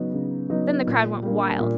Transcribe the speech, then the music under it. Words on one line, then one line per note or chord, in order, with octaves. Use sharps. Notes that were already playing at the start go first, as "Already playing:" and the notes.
Then the crowd went wild.
Already playing: C#3 F#3 B3 D#4
C#3
F#3 B3 D#4
A#2
G3 A#3 D4
A#2